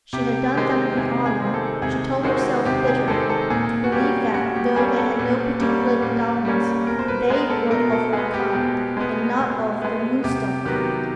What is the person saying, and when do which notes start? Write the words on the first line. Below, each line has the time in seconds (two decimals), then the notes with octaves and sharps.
She had done them the honor, she told herself bitterly, to believe that though they had no particular endowments, THEY WERE OF HER KIND, and not of the Moonstone kind.
0.13 C3 G4
0.55 D#3 G#3 C4 G4
0.97 C3 G#4
1.26 G#4
1.40 D#3 G#3 C4
1.54 A4
1.82 C3 G#4
2.23 D#3 G#3 C4 F#4
2.65 C3 G4
2.87 G#4
3.08 D#3 G#3 C4 A4
3.30 A4
3.50 A#2 G#4
3.84 F#4
3.92 G3 A#3 C#4 G4
4.34 A#2 F#4
4.56 G4
4.76 G3 A#3 C#4 G#4
4.97 A4
5.19 A#2
5.60 G3 A#3 C#4
6.02 A#2
6.45 G3 A#3 C#4
6.87 B2 A#4
6.99 C5
7.08 B4
7.28 G#3 B3 A#4
7.50 A4
7.71 B2 A#4
7.92 A4
8.13 G#3 B3 G#4
8.34 G4
8.55 B2
8.97 G#3 B3
9.40 B2
9.82 G#3 B3
10.24 C3 G4
10.66 D#3 F#3 B3 G4